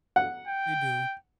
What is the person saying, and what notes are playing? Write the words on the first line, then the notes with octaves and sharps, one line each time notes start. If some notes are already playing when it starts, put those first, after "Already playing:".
They do.
F#5
G5